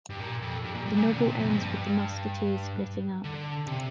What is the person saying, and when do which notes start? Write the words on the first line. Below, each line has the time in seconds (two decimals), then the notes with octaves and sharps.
The novel ends with the musketeers splitting up.
0.10 G2
0.20 A#2
0.42 F2
0.64 G2
0.75 A#2
0.86 G2
0.97 A#2
1.07 D3
1.18 C3
1.28 A#2
1.40 F2
1.50 G2
3.25 D3
3.67 C3